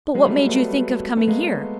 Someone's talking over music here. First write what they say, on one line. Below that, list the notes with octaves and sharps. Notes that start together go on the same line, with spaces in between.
"But what made you think of coming here?"
F#3 G#3
G3 A3
A3 B3
A3 B3
G#3 A#3